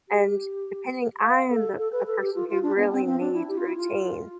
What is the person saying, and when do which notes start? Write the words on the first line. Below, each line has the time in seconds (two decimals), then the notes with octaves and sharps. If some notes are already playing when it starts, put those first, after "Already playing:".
and depending I am the a person who really needs routine,
0.09 G4
1.22 F5
1.50 A4
1.79 A4
1.92 B4
2.07 A4
2.20 G4
2.35 F4
2.49 F4
2.63 D4
2.77 B3
2.91 C4
3.06 C4
3.20 D4
3.34 E4
3.48 G4
3.57 F4
3.68 E4
3.77 F4